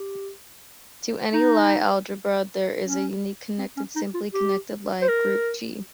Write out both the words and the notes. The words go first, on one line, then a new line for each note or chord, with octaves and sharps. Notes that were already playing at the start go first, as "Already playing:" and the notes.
To any Lie algebra, there is a unique connected, simply connected Lie group "G".
Already playing: G4
D#4
C#4
C4
C#4
D#4
F4
G4
C5
A#4